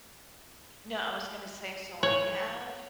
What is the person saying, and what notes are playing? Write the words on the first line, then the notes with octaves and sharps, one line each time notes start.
No, I was gonna say, so I have
C#5